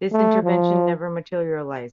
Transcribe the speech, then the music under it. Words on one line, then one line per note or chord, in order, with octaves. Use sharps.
This intervention never materialised.
A3
F3